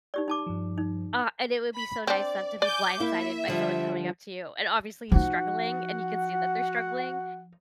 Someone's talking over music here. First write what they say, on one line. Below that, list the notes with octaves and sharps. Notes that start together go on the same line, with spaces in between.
Aw, and it would be so nice not to be blindsided by someone coming up to you, and obviously, he's struggling, and you can see that they're struggling,
D#4 G4 D5
D#4 A5 D6
G2 F3
D#4
B5
C4 D4 D5
D5 G#5 D6 G6
A#3 E4 E5
D3 F3 G3
F3 D#4 F#4 F#5